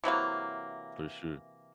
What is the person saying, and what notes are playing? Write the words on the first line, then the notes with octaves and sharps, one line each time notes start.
For sure.
C3 E3 F#3 A#3